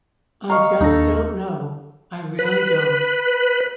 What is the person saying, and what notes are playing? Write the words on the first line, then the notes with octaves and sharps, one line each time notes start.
I just don't know, I really don't.
D#5 F5 A#5 C#6
D#2 D4 D#4 A4 A#6
B4